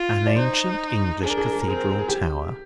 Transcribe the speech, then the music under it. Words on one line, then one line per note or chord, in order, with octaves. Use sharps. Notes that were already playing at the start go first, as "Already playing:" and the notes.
An ancient English Cathedral Tower?
Already playing: F4
D5
D#4 C5
D4 G#4
A#4
G#4
A#4
G#4
A#4
C4 G#4
A#4
G#4
A#4
G#4
G4